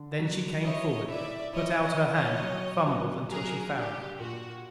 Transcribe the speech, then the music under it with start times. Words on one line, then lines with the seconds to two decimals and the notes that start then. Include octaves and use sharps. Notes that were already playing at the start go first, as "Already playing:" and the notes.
Then she came forward, put out her hand, fumbled until she found me.
Already playing: D3
0.19 F#3
0.64 E4 C#5 D#5
1.08 E4 D5 E5
1.52 E4 C#5 D#5
1.83 C#5 D#5
1.97 E4
2.12 C#5 D#5
2.42 F#3
2.86 F#3
3.30 F#3 G#4 A#4
3.75 D4 G4
4.19 A#2 F#4